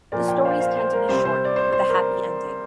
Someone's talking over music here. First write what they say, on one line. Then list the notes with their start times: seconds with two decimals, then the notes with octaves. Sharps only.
The stories tend to be short, with a happy ending.
0.12 A#2 F3 A#4 D5
0.28 D5 G5
0.45 C5 F5
0.60 C5 F5
0.76 C5
0.93 A#4
1.09 C3 G3 C5
1.25 C5
1.45 D5
1.56 C5
1.73 C5
1.89 A#4